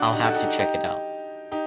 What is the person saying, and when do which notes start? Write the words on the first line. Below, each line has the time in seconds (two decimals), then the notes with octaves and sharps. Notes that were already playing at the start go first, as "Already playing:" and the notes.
I’ll have to check it out.
Already playing: D4 F#4
0.12 D#4 G4
0.24 F#4 A4
0.35 D#4 G4
0.47 D#4
0.59 D#4 G4
1.52 D#4 G4